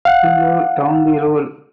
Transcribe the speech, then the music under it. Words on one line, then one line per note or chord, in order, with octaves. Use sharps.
See you down the road.
F5 F#5